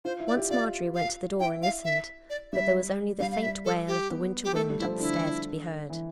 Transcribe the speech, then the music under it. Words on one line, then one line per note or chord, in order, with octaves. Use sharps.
Once Marjorie went to the door and listened, but there was only the faint wail of the winter wind up the stairs to be heard.
F4 C5
E4
D5
G4
F4 D5
F5
E4 G5
F5
E5
D5
G3 E5
G3 F5
F5
E5
A4
G4
B3
G4
A3 A4
G3
E4
F3
D3 E4
E3